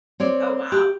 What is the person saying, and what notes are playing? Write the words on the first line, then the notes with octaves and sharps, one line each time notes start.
Oh, wow.
C4 C#5 D5
G4